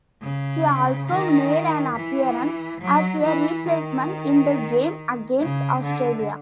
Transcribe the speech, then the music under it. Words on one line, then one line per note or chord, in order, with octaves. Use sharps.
He also made an appearance as a replacement in the game against Australia.
C#3
D#3
E3
F#3
E3
D#3
C#3
D3